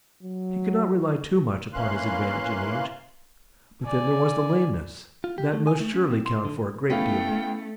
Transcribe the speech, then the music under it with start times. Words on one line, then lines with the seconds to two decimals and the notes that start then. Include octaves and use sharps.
He could not rely too much upon his advantage in age. But then there was the lameness; that must surely count for a great deal.
0.23 F#3
1.73 E3 A#3 C#4 F5 C6 F#6
3.84 D5 G#5
5.24 F4
5.38 G4
5.53 A3
5.67 G#5
5.80 A3
5.94 C#4
6.11 C4
6.26 C6
6.45 D3
6.90 A3 B3 C#4 E4 F5 G5